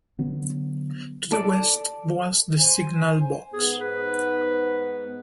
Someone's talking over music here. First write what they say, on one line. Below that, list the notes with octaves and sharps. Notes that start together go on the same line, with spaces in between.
To the west was the signal box.
D3 F#3 B3
A4 D5 A5
C5 G#5
G#2 B3 G#4
B4